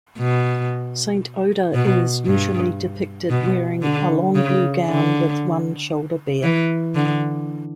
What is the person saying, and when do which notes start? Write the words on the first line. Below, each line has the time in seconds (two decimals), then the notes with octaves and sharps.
Saint Oda is usually depicted wearing a long blue gown with one shoulder bare.
0.18 B2
1.74 B2
2.26 G2
3.30 B2
3.82 D3
4.35 C#3
4.87 D3
6.43 E3
6.95 D3